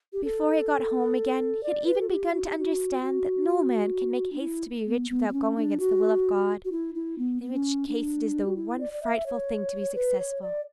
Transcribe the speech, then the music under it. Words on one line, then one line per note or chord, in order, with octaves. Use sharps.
Before he got home again, he had even begun to understand that no man can make haste to be rich without going against the will of God, in which case it is the one frightful thing to be successful.
G4
A4
D5
B4
A4
G4
F#4
G4
F#4
F#4
D4
E4
B3
B3
B3
C#4
D4
F#4
F#4
E4
E4
B3
B3
C#4
D4
F#4
E4
D5
D5
E5
C#5
B4
C#5
D5